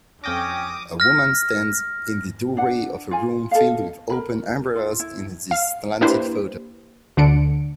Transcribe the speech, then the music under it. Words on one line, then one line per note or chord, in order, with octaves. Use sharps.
A woman stands in the doorway of a room filled with open umbrellas in this slanted photo.
F2 C#4 G5 D6 D#6 A#6
F6 A#6
D4 F#5
F4 G#5
A4 D#5 F5
A#4 B5
F4
E4
F5
A#3 D4 E4 G4 B4 C5
D2 D3 D4 C#7 D7